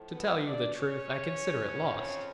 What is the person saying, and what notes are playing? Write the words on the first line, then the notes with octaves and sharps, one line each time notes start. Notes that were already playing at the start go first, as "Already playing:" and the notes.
"To tell you the truth, I consider it lost."
Already playing: A2 F3 A3
B3 B4
D4 D5
C#4 C#5
F2 C#3 F3